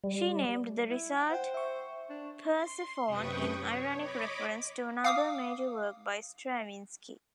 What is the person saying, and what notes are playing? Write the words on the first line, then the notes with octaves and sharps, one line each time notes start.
She named the result "Persephone" in ironic reference to another major work by Stravinsky.
G3
E4
G5
C5 F#5 G5
E5 C#6
D4
C6
F#2 C3 B4 G5 C#6 D#6
C#5
C#5 D#5 B5 D6
F5 D6 D#6